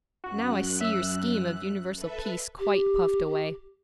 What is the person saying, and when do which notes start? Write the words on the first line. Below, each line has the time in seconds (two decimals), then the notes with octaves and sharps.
Now I see your scheme of universal peace quite puffed away!'
0.24 F#2 F#4 F#6
0.81 E5 E6
1.95 A4 B4 E5
2.58 G4